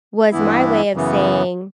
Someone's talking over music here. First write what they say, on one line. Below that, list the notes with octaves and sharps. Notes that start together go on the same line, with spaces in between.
was my way of saying,
G2 E3 B3 E4
F#2 C#3 E3 B3